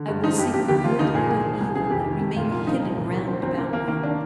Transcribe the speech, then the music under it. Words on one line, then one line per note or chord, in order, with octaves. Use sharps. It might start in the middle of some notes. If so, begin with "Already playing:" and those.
I will sing of good and of evil that remain hidden round about you.
Already playing: D3
G2
F3 D#4
G2 G4
C3 G4
D2 G4
F3 F4
D2 D#4
A#2 G#4
C2
F3
C2
C3 G#4
F2 G4
D#3
F2
A#2 F4
C2 F4
F3 D#4
C2
A#2
C2
F3 C4
C2 C4
C3 A#3
C2 A#3
D#3 A#3
D4